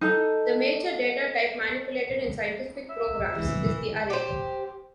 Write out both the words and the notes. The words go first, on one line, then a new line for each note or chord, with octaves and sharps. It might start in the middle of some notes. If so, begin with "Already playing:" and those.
The major data type manipulated in scientific programs is the array.
D#4 A4
E5
E3
G4 C5